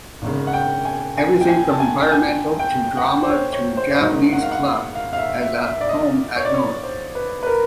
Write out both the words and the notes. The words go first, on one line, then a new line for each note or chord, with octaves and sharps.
Everything from Environmental, to Drama, to Japanese club has a home at north.
G#1 F#2 C#3
F#5
G5
G#5
G#5
G5
G#5
A5
G#5
G5
G#5
G5
F#5
G5
C5
C#5
C#5
C5
D5
G#1 G#2 D#3 F#3 D#5
F#5
F5
F#5
F5
F5
F5
E5
E5
E5
D5
D#5
C#5
D5
C#5
C5
B4
B4
A#4